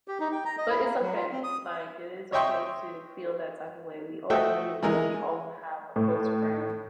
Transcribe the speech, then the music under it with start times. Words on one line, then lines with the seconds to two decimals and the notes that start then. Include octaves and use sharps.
but it's okay. Like, it is okay to feel that type of way. We all want to be liked; we all want to have a close friend.
0.08 G4
0.20 D#4
0.32 G5
0.45 A#5
0.58 D#5
0.70 E4
0.84 A#3
1.01 F#3
1.14 F4
1.32 C4
1.44 D#6
2.32 C#5 D#5 E5 G5 C6 C#6
4.30 A3 F#4 A4 D#5 E5 G5
4.83 E3 G#3 A#4
5.96 A2